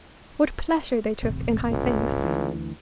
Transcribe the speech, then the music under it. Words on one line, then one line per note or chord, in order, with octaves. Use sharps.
What pleasure they took in high things!
D#1 A1 C3
C#2
D2 E3